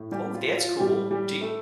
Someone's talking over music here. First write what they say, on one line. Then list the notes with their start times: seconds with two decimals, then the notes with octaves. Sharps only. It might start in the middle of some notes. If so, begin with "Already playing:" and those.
Oh, that's cool. Do y
Already playing: A2
0.12 G3 G4
0.35 F4
0.58 F4
0.80 A2 G3 G4
1.11 G3 G4
1.41 A3 A4